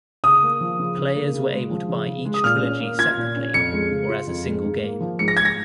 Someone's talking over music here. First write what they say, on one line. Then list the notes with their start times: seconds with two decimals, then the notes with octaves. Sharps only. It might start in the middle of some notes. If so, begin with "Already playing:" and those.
Players were able to buy each trilogy separately or as a single game.
0.24 C#3 D#6
0.43 A#3
0.61 F3
0.79 C#3
0.98 C#3
1.16 A#3
1.34 C#3
1.53 G#3
1.71 F3
1.89 C#3
2.07 C#3
2.25 G#3
2.34 D#6
2.44 A#2 F6
2.63 C#4
2.80 A#3
2.99 F4 G#6
3.17 A#2
3.36 C#4
3.54 F2 C#7
3.73 G#3
3.91 C#3
4.09 F4
4.27 F2
4.46 G#3
4.64 G#2
4.83 A#3
5.00 F3
5.19 G#2 C#7
5.28 A#6
5.37 G#2 G#6
5.45 A#6